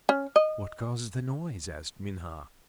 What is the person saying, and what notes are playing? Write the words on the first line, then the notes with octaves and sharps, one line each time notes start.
"What causes the noise?" asked Minha.
C#4
D#5